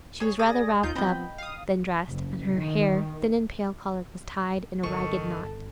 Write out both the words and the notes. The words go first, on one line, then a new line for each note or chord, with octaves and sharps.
She was rather wrapped up than dressed, and her hair, thin and pale-coloured, was tied in a ragged knot.
G#4 C#5
G#4 D5 D#6 A#6
D#2 D#4 F4 G6
F3 B3 C4 D#5 G5 B5
F5 D#6
F#1
D#3
G1 D3 D#3 A4 C#6